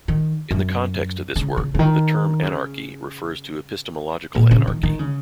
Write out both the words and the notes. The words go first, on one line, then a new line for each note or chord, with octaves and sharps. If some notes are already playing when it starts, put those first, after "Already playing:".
In the context of this work, the term anarchy refers to epistemological anarchy.
D#3
F#2
C#3
C#3
C#3
D#3
C#3
A#2
C#3
D#3
D#3
C#3